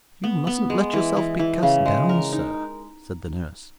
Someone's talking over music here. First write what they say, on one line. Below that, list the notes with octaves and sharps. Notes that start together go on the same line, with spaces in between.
'You mustn't let yourself be cast down, sir,' said the nurse.
B3
B3
G#3
E3
E3
E3
C#3
G#3
A#4
D#4